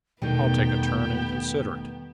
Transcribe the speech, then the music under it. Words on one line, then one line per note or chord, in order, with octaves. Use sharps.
"I'll take a turn and consider it."
E2 B2 D#3 G3 A3 B3 D4 G5